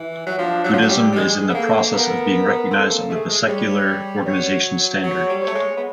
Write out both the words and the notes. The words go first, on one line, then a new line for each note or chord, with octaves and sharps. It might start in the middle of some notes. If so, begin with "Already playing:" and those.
Buddhism is in the process of being recognized under the secular organization standard.
Already playing: E3
F#3
F3 D4
F#3
F3
F#3
G3
G3
G#3 G#4
B3
A#3 A4
B3 A#4
C4 A4
A3
A#3
A3 G#4
G#3
G#3
G3 C#5
F#3 C#5
F#3 C#5
G3
A3 C#5
G#3
B3